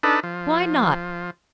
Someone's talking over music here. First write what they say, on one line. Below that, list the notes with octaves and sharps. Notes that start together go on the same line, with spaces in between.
Why not?
D4 D#4 A4 B4
F3